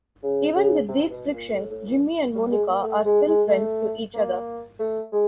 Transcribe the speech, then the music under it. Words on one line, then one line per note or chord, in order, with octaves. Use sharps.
Even with these frictions, Jimmy and Monica are still friends to each other.
C#3
C#3
C3
B2
A#2
A#2
A2
A2
A#2
G3
G#3
A#3
A3
G#3
G#3
A3
A#3
A3
G#3